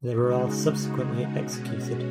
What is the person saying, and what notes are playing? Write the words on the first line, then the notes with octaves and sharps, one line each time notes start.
They were all subsequently executed.
C#3 G#3 D#4 F#4
B2 G#3 C#4 F#4